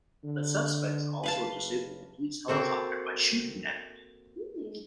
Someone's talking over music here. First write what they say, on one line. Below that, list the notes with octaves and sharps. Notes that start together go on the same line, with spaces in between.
The suspects also disabled a police helicopter by shooting at it.
D3
F#1 B4 F5 A5
A#3 C4 F#4 A4